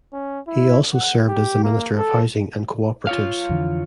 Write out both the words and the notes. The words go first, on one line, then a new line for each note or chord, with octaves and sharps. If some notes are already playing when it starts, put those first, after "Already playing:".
He also served as the minister of housing and co-operatives.
C#4
E4
F#5
G4
A#3
A4
F4 C#5 F5
F2 D3 E3